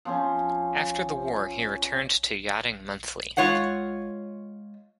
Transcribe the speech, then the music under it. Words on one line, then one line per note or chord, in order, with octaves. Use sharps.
After the war he returned to "Yachting Monthly".
F3 C4 C#4
G#3 F4 C#5 F5 F#5